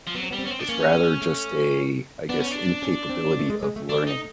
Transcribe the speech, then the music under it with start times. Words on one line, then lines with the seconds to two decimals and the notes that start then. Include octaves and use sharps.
It's rather just a, I guess, incapability of learning.
0.07 F3
0.15 F#3 B3
0.23 C4
0.31 G3 B3
0.39 C4
0.45 B3 C#4
0.51 C4
0.59 D4
0.69 A#3 C#4
1.22 A3
2.29 B3 D4
2.40 C#4
2.51 D4
2.82 C#4
3.10 C4
3.39 A3
3.50 G#3
3.63 G#3
3.76 A3
3.89 A3 D4
4.07 D#4